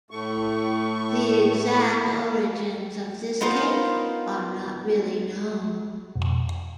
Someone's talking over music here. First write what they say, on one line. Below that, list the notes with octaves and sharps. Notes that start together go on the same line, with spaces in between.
The exact origins of this cake are not really known.
A2 A3 C#6
B3 D#4 F4 A#4 C5
F2 B2